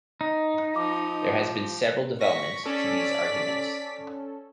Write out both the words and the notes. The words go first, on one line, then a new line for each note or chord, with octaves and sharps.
There have been several developments to these arrangements.
D#4
F3 D6
C#6 A#6 B6
C#4 A4 D5 B6